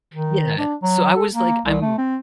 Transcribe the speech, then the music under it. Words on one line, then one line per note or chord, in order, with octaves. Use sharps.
Yeah. So, I was, like, I'm
D#3
D4
F#3
A4
A#3
C2
A3
C4